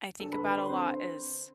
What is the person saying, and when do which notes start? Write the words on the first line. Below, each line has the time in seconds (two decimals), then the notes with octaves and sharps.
I think about a lot is,
0.20 D3 A4 A5
0.32 B4 B5
0.45 D3 B4 B5
0.57 C5 C6
0.69 C4 C5 C6